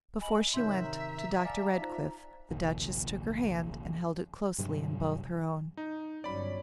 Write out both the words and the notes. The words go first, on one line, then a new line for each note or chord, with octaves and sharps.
Before she went to Dr. Redcliff the Duchess took her hand and held it closely in both her own.
D#5 G#5 B5 F#7
G#2 C3 D#3 C#4 E5 C6 G6
A#5
D5 F5 G#5 A5
D#4 F4 C5
F1 A#1 D#2
G2 C3 F#3 G3
D#4
G1 F#3 C#4 D5 B5